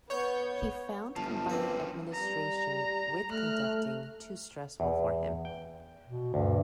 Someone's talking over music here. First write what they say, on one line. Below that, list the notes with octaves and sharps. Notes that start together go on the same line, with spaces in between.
He found combining administration with conducting too stressful for him.
B3 C#5 G6
G1 F#2 F3 A5
A#3 C4 B4
G3 A#5
A3 F6 F#6
E2
G5
B2
D2 G2